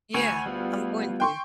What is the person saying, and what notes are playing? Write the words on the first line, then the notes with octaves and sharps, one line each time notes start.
Yeah, I'm going to.
D2 G#5 C#6
G3 B3 F4
G5 C6 C#6